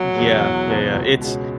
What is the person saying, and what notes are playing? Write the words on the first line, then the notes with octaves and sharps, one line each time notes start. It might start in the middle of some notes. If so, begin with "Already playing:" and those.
Yeah. Yeah, yeah. It's
Already playing: E1 F#3
E2 B2 B3 G#4
E1
E2 B2 B3 G#4
C#2
B2 G#3 C#4 F#4